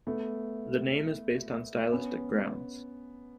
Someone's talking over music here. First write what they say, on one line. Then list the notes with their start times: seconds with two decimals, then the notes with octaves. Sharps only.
The name is based on stylistic grounds.
0.07 A3 B3
1.92 B3 C#4